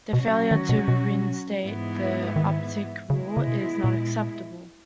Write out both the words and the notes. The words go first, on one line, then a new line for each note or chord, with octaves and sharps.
The failure to reinstate the Uptick Rule is not acceptable.
B2 F#3 C#4 F#4
D#3
B2
B2
G#2 E3 B3 E4
D#3
C#3 G#3 B3 E4
C#3
B2
A#2